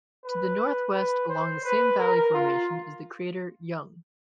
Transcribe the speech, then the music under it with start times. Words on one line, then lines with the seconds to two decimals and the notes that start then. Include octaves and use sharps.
To the northwest along the same valley formation is the crater Young.
0.25 B4
0.94 B4
1.29 C5
1.64 B4
1.99 A#4
2.34 F4